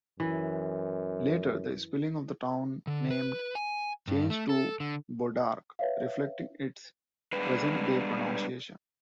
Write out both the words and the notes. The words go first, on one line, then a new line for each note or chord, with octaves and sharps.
Later, the spelling of the town name changed to "Bodarc" reflecting its present-day pronunciation.
F#2 E3
D3
B4
G#5
G2
A3
A4
D3
B4 C#5 E5 F5
G3 G#3 B3 D4 B4